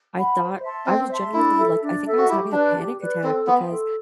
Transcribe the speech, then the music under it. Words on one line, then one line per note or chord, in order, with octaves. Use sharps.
I thought I was genuinely like, I think I was having a panic attack because
F#5 B5
C5
E5 A5 C6
C4 C5
E5 A5 C6
D4 E4
A4 E5
D4
A4 E5
F#4
E4 G4
D4 B4 D5
G4
B4 D5
C4 A4
B3 E5 G5 C6
A4